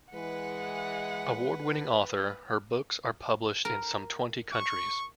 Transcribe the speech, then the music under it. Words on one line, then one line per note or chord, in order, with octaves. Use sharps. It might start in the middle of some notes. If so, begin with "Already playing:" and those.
Award-winning author, her books are published in some twenty countries.
E3 G#3 B4 F#5
A#4
C#6